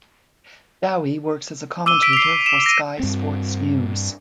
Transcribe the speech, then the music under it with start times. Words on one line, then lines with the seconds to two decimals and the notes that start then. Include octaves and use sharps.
Dowie works as a commentator for Sky Sports News.
1.86 D6 E6 D#7 G7
2.02 E6 B6 D7
2.13 C7 F7
2.46 E7
2.66 A#6 D#7
3.00 G2 C4